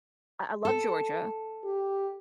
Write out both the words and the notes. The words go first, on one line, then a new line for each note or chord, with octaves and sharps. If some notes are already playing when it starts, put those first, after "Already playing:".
I I love Georgia,
A4
G4